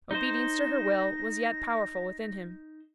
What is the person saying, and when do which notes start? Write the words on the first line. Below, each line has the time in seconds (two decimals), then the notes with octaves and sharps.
Obedience to her will was yet powerful within him.
0.11 D#4 C5 A#6